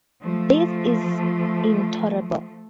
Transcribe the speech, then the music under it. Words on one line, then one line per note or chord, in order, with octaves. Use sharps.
This is intolerable.
F3 A3